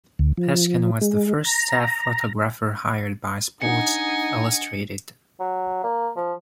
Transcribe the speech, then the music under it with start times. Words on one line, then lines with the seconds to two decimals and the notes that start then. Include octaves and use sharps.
Peskin was the first staff photographer hired by "Sports Illustrated".
0.19 D2
0.38 F3
1.01 G#3
1.45 A#5
3.62 D4 D#4 D#5 F#5 G#5 C#7
5.40 F#3
5.84 A#3
6.17 F3